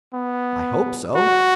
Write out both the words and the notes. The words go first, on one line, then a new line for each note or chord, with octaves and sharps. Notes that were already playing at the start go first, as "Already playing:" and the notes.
"I hope so."
B3
F#4